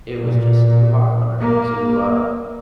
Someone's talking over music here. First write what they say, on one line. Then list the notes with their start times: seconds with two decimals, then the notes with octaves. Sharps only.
it was just too hard on her to, uh,
0.16 A#2
1.38 A#3